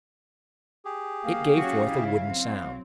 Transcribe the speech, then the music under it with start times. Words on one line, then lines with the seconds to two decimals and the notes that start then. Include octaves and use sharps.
It gave forth a wooden sound.
0.85 G4 G#4
1.24 A#3 F5
1.57 F#3 C#4 F#4
1.89 C#3 E4
2.27 F#3 C4